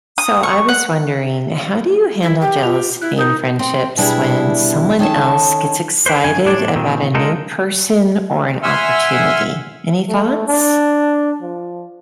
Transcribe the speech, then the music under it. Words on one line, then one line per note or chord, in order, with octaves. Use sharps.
So, I was wondering, how do you handle jealousy in friendships, when someone else gets excited about a new person or an opportunity? Any thoughts?
D#6
C#6
F#5
E4
G4 G5
F4 F7
E4 F#6
D#4 A#4 D#6 G6
C4
B2 G3 D4 E4 G#4
D#3 C#4 A4 A5
D4 B4 C5
F#2 C#3 G#5
A2 D4 C#5 D5
A#2 D#3 C4
D3 G#3 D#4 F4 A4 A#4
E5 F#5 G#5 C6 E6 F6
A3
D4
F3